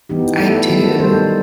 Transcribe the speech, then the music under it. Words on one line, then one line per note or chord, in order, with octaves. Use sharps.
I do.
E3 B3 D#4 G4
A3 E4 A4
D#3 F#3 B3 F#4 A4
G3 D#4 A4 C5